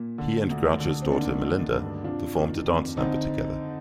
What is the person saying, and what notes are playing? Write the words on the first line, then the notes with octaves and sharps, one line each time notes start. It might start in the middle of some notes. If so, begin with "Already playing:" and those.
He and Groucho's daughter, Melinda, performed a dance number together.
Already playing: A#2 A#3
D3
D2
D3
C4
D#3 A#3 D4
D#3
G2
C3 D4 F4
D#3
F2
D3 C4 D#4